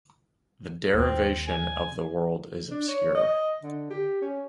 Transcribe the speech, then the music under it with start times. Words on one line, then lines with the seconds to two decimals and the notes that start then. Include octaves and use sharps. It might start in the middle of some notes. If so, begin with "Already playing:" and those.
The derivation of the word is obscure.
0.94 D#2 C4
1.48 G#5
2.71 D4
2.88 C#5
3.15 D#5
3.63 D3
3.90 G4
4.22 C#4